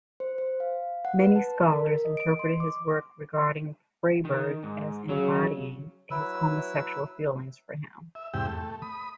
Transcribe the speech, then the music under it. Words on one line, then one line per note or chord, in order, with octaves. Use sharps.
Many scholars interpreted his work regarding Freyburg as embodying his homosexual feelings for him.
C5
C5
F5
F#5
B4
A5
A#4
D#5
D7
C6
D6
D#3
G#2
C#3 F#3
F#3 E4 B4 E6
E5
E2 G#2 C3 G4 G5 E6
A3
B5 D#6